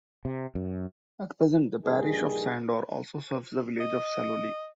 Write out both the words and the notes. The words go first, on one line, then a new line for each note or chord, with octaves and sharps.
At present, the parish of Sandor also serves the village of Saloli.
C3
F#2
A#1 G2 D#3 G#4
D#5